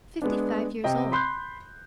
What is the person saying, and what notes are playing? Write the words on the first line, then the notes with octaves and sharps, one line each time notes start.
"Fifty-five years old."
G#3 B3 D4
C3 D#5 G5
B5 C6 F#6 G6